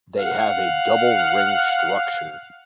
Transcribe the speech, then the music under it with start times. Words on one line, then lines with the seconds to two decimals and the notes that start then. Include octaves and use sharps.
They have a double ring structure.
0.18 F5 F#5